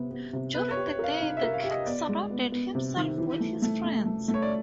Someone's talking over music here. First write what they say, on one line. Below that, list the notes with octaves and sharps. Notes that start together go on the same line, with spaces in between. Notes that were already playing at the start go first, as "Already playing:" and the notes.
During the day, the king surrounded himself with his friends.
Already playing: C3 B3
B3
C3
B3 B4
C#5
G4
C#5
A#4 F5
D#4 F5
E5
A#4
F5
G4 E5
D#5
B3 D5
G#3
B3
B3
C3
D#3
E3
A3
A3
A3
A3
A3
C#5
D5